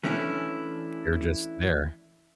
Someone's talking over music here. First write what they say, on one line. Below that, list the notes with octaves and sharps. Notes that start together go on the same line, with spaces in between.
They're just there.
E3 A3 C#4 D4 E4